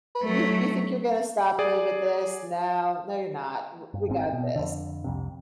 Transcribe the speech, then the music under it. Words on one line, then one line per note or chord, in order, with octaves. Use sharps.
you you think you're gonna stop me with this? No no, you're not. W we got this."
F#3 A3
G#4 D5
G2
G#1 G#2 C4
B2
F2 D3
C2 F2 C3